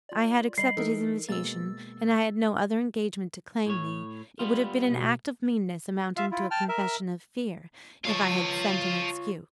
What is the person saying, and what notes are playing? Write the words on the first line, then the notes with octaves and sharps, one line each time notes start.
I had accepted his invitation; and I had no other engagement to claim me: it would have been an act of meanness amounting to a confession of fear, if I had sent an excuse.
F4 D5
G3 D#5 C7 F#7
E3 D#4 A4 A#4
B2 G#3 A#3 E6 A6
A2 C#5
G3 B3 F4
B2
F4 E5 F5
E4 F4
G5 A5 F6
A#4 E5
F4 C#5 F5 A5